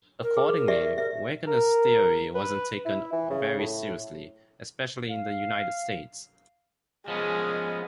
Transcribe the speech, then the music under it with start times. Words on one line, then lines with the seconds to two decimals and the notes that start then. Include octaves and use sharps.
Accordingly, Wegener's theory wasn't taken very seriously, especially in the United States.
0.23 A#4
0.37 G#4
0.56 A#4
0.68 G4 D5 E5
0.98 A#4 E5
1.47 A#4
2.35 B4
2.86 E4
3.13 E3
3.30 C#3
3.59 A2
5.11 F5
7.08 F3 G#3 B3 C#4